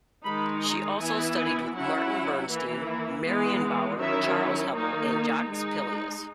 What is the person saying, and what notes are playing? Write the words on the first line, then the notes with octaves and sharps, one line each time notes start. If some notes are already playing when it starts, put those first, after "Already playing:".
She also studied with Martin Bernstein, Marion Bauer, Charles Haubiel, and Jacques Pillois.
D#3 G#3 D#4 B5
A#5
E3 B3 E4 G#5
G#5
F#3 C#4 E4 F#5
E3 A#3 E4
E3 G#3 B3
D#3 F#3 C#4 E4 E5
D#3 A#3 D#4
G#3 D#4